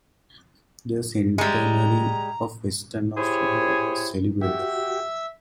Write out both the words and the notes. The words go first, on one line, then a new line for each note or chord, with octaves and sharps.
The centenary of Western Australia was celebrated.
G3 G#3 A#5
E4 G4 G#4 C5 C#5
F#4 G4 E5